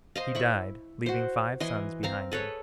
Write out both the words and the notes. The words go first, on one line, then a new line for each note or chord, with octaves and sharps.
He died, leaving five sons behind him.
C5 D#5 F5
E4 B5 C#6
F#4 C5
E3 D#5 G#5 C6
C4 F5 A#5
G#4 A4 B4 C#5